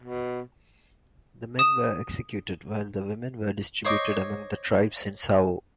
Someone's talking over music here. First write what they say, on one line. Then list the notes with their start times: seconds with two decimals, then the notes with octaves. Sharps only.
The men were executed while the women were distributed among the tribes in Zhao.
0.03 B2
1.59 D#6 E7
3.85 C5 C#5 D#5 D6